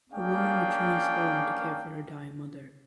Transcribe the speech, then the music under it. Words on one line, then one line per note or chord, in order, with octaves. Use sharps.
A woman returns home to care for her dying mother.
A#3 C#4 D4 G#4 F5 G5